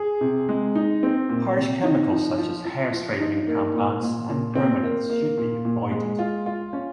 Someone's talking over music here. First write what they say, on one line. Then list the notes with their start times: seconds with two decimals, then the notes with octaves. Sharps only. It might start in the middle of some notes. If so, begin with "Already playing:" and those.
Harsh chemicals such as hair straightening compounds and permanents should be avoided.
Already playing: G#4
0.21 C3
0.49 G#3
0.75 D#4
1.03 C4
1.29 A#2
1.57 C3
1.83 D#4
2.12 F3
2.38 F3
2.65 F3
2.93 F3
3.20 D#4
3.47 A#3
3.74 A#2
4.02 A#2
4.29 A#2
4.55 C4
4.83 A#3
5.10 A#3
5.38 A#2
5.65 A#2
5.91 G#3
6.19 F4
6.46 F4
6.73 C#4